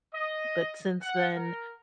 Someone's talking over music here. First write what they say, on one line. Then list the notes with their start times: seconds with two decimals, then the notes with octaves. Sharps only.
but since then,
0.14 D#5
1.02 F#5
1.35 A#4